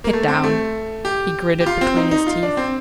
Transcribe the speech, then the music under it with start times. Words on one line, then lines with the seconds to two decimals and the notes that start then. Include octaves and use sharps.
"Sit down!" he gritted between his teeth.
0.04 A#3
0.13 A3
0.28 C4
0.44 A3
1.05 G4
1.60 G4
1.66 F4
1.81 C4
1.97 D#4
2.11 D#4
2.27 F4
2.43 D4
2.57 C4